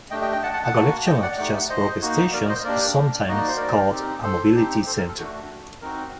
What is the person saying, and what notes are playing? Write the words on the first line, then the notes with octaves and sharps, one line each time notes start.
A collection of such workstations is sometimes called a mobility centre.
A3 D4 G4 D#5 G5
D#5 G5
D#5 G5
F#5 A5
F#5 A5
F#5 A5
A#3 F#4
D#5 G5
D5 F#5
A3 D#4 G4 D5 F#5
C5 D#5
A#3 D#4 F#4
A#4 D5
C5 D#5
A#3 D4 G4 A#4 D5
A#3 D#4 F#4 D#5
D5
C5
A#4 D5
C4 D#4 G4
A4 C5
C4 D#4 G4
A4 C5
A#4
A4
A3 D4 F#4
C4 D#4 F#4 A#4